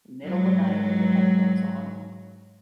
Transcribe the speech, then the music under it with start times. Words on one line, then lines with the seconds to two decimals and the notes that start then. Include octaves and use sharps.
middle the night with your headphones on,
0.24 G#2 F#3